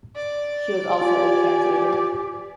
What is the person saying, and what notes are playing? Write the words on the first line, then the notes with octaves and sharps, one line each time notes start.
She was also a translator.
D5
F4 G4 G#5